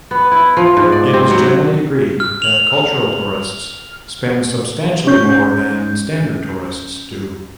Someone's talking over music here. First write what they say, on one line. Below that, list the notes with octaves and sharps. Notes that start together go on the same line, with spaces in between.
It is generally agreed that cultural tourists spend substantially more than standard tourists do.
B3
E4
F3
G#2
D5
C4
F#3
F6
F7 F#7
C#4 G6